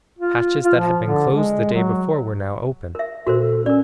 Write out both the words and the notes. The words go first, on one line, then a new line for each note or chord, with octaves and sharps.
Hatches that had been closed the day before were now open.
F4
F4
F3
D3
G#3
F#3
A#4 E5
A#2 F#4 A4 A#4 C5
A4
C4 C#4 A#4 D5